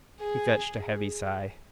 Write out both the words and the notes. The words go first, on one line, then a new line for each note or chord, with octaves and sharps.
He fetched a heavy sigh.
G#4